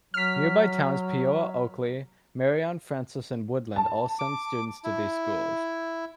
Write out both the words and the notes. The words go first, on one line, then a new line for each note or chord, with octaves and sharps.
Nearby towns Peoa, Oakley, Marion, Francis and Woodland all send students to these schools.
F#3 F6 B6
A5
D6
E4